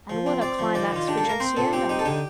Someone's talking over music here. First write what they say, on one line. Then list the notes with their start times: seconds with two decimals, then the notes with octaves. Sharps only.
And what a climax for Josiana!
0.10 F3
0.26 C4
0.41 C4 D5
0.59 F3
0.74 D#3 D5
0.91 D#3 F4
1.08 D4 G4
1.18 A4
1.24 A#3
1.29 A#4
1.40 C4 C5
1.56 A#2 A4
1.73 C4 G4
1.89 D#4 G4
1.99 A4
2.05 D3 G4